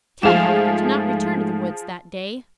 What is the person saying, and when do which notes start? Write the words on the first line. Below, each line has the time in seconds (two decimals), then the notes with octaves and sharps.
Tad, however, did not return to the woods that day.
0.23 G#2 F3 A3 G#4 F5 E7